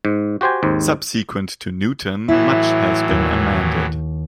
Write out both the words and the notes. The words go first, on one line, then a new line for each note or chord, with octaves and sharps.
Subsequent to Newton, much has been amended.
G#2
F#4 G4 C5 G5 G#5
D#2 G#2 C4
A2 E3 F#3 E4
D#2